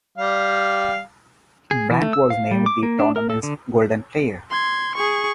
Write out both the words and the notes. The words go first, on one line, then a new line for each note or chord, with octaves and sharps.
Blanc was named the tournament's Golden Player.
G3 F5
G#4
E3
A3
E6
F5
G3
D6
A#3
D4
A#4
A4
D3
C6 G#6
G#4 C#6